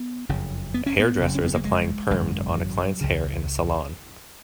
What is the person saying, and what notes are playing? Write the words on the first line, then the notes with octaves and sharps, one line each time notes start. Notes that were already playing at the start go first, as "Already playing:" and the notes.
A hair dresser is applying permed on a client 's hair in a salon.
Already playing: B3
F#1 F2 C#3
B3
C#4
B3
F#1 F#2 C#3
C#4
B3
A#3
G#3
G#1 F#2 C#3 G#3
F#3
C#2 C#3